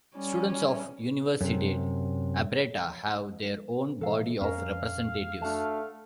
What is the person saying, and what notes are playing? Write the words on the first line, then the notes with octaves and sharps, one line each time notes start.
Students of Universidade Aberta have their own body of representatives.
G3 C#4
F#2 C3
B2 E3 A4 F5
F2 C#4 A#4 F5
A3 D4 F#4 A5